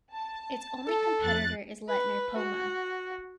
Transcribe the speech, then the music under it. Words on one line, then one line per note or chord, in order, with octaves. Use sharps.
Its only competitor is Leitner-Poma.
A5
A4
F2 F#6 A6
B4
F#4